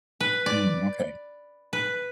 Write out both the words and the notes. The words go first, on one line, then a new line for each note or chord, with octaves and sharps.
Mm, okay.
B4
D5
B4